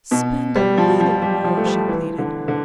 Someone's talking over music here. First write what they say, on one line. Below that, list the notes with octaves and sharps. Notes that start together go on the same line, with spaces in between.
"Spend a little more," she pleaded.
B2
G3
F3
F3
G3
F3
A3
G3
E3
D3
D3